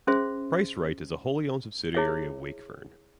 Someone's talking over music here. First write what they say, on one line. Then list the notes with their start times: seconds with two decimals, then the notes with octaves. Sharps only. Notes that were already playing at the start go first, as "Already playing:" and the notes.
PriceRite is a wholly owned subsidiary of Wakefern.
0.07 C#4 G#4 C5 E5 C6
1.95 E4 G#4 C#5 E5